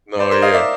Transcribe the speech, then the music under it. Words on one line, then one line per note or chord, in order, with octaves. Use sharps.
No, yeah.
C5 D5
A#4 C5
D#5 F5
D5 E5